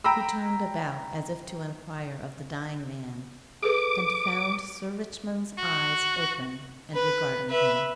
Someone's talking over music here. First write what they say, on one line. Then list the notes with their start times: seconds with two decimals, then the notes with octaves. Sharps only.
He turned about as if to enquire of the dying man and found Sir Richmond's eyes open and regarding him.
0.04 G5 A#5 B5 E6
3.62 G#4 A4 B4 D6
5.58 F#4
6.94 B4
7.50 B4 E5